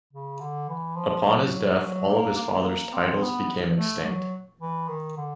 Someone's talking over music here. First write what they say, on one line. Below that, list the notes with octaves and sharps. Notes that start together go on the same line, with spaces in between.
Upon his death, all of his father's titles became extinct.
C#3
D3
E3
F3
F#3
A#3
A#3
A#3
C4
B3
A3
F#3
E3
D#3
D3